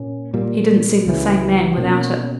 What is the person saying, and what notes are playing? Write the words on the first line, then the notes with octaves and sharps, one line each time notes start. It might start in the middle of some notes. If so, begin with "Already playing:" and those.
He didn't seem the same man without it.
Already playing: A#2 A#3 C#4
A#2 G3 A#3
C#2 C#3 E3
B2 A#3 C#4